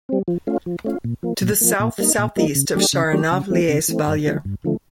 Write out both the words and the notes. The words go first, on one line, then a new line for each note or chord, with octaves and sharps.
To the south-southeast of Sharonov lies Valier.
G3 C4
F3
A3 C#4 F4
F3
A3 C#4 F4
A#2
F3 A#3
A#2
F3 A#3
A#2
G3 A#3 D#4
A#2
G3 A#3 D#4
C#3
F#3 A3 D4 G4
C#3
F#3 A3 D4 G4
C#3
E3 A3 C4
C#3
E3 A3 C4
G2
D3 F3 A3
G2
D3 F3 A3